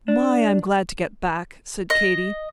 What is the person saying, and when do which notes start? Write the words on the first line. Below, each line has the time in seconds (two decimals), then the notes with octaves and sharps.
"My! I'm glad to get back," said Katy.
0.08 D4
1.90 D#5